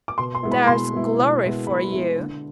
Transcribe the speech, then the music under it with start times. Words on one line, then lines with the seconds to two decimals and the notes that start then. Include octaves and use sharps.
There's glory for you!'
0.08 D6
0.18 B2 C6
0.35 C6
0.43 G#3 B3 E4
0.52 B5
0.67 B2 C6
0.93 G#3 B3 E4
1.18 B2
1.42 G#3 B3 E4
1.67 B2 B5
1.92 G#3 B3 E4
2.18 D3